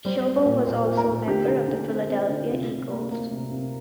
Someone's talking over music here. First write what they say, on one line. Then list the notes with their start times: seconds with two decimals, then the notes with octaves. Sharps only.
Schobel was also a member of the Philadelphia Eagles.
0.05 G3 C5
0.26 C4
0.36 D5
0.46 A#2
0.67 A#2 C5
0.87 A#2
0.97 A#4
1.08 A#2
1.28 D3 G4
1.48 D3
1.68 D3
1.88 C4
2.09 C4
2.29 D3
2.50 C3 F4
2.70 C3
2.91 A#3
3.11 A#3
3.31 C3
3.52 C3